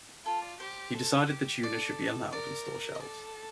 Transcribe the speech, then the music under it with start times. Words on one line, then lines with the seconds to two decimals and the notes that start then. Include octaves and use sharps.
He decided the tuna should be allowed on store shelves.
0.25 F4 A4
0.42 D5
0.60 G4 C5
0.94 A4
1.29 G4
1.63 A4 D5
2.32 A#4 D5
2.95 D#5
3.00 A4 D5